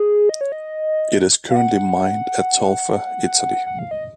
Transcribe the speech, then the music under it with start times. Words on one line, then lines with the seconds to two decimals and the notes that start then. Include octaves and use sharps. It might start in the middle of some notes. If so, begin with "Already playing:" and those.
It is currently mined at Tolfa, Italy.
Already playing: G#4
0.29 D#5
0.41 C#5
0.52 D#5
1.50 F5
1.56 F#5
3.66 F#5
3.79 F5
3.91 D#5